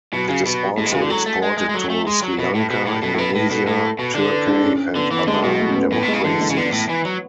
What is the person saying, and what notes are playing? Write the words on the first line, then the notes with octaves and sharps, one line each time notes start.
It is also exported to Sri Lanka, Indonesia, Turkey and other democracies.
B2 F#3
C#3
B2
A2 G#3
B2
C#3 F#4
D3
F#3 A4
A3
G#3
G#3
G#3
F#3 A4
A3
G#3
F#3
B2 B4
A2
B2
A2
B2 A4
A2
B2 B4
A2 B4
B2 A4
A2 A4
B2
D3
A4
B4
D4
C#4
D3 B3
E3 B3
D3 G#3
B2 F#3
A3
C#4
B3
A2 B3
B2
G#3
C#3
D3 E3
G#3
C#3
D3 B3
A2
E3
F#3